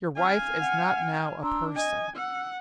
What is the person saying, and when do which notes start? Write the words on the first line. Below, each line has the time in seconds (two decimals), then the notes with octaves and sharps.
Your wife is not now a person.
0.16 F5 G#5
0.59 F#5
1.42 D4 A#5 C6 E6
1.76 D#5 G#5 D#6
2.16 F#5 E6